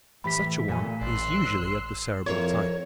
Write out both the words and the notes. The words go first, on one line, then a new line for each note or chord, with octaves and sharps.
Such a one is usually of the Cerebral type.
A2 E3 G4 B5 B6
A#2 A3 G#5
A1 D5 C6 E6 F#6
F2 E4 A#4 C5 C#5